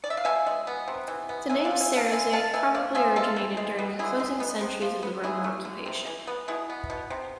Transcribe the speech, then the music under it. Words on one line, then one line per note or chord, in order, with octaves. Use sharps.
The name "Cerizay" probably originated during the closing centuries of the Roman occupation.
D5
E5
F5
B2 E5 G#5
G#3
B3
C3
E3
B3
C3 E5 G#5
D5 F5
F3
E5 G#5
A3
F5 A5
D3 E5 G#5
G#3 F5 A5
B3 E5 G#5
C3 D5 F5
F3 E5 G#5
G#3 F4 A4
E3
G#3
B3
D3 E4 G#4
G#3
B3
C3
F3
B3
D3 E4 G#4
A3
D3
C3
E3
B3
B2 E4 G#4
B3
B2
C3